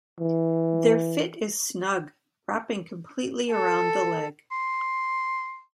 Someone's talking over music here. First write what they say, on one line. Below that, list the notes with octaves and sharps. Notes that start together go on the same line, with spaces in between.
Their fit is snug, wrapping completely around the leg.
E3
A4
C6